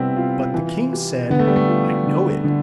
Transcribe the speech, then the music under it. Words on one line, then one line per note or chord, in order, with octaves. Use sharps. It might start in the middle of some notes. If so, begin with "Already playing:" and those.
But the king said, 'I know it.
Already playing: C3 G3 B3 C4 E4
F4
E3
G4
D3 B3
A3
G3
A3
F4
D3
D3